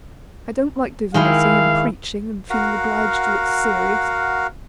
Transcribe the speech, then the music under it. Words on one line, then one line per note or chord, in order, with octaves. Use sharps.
I don't like divinity, and preaching, and feeling obliged to look serious.
D#3 G#3 E4 F5
F#4 A#4 F5 F#5